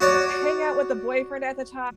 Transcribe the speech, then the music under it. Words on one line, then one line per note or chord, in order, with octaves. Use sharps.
hang out with the boyfriend at the ti
F#4 C#5 D5